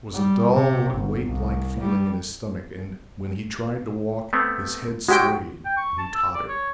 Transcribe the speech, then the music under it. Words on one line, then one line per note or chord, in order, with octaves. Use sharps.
There was a dull, weight-like feeling in his stomach, and, when he tried to walk, his head swayed and he tottered.
G3
C3
G1
C2
G3
A3 B3 C4
G#3 E4 F#4 G4 G5
G5
C#6
A5
E6
D5
C#5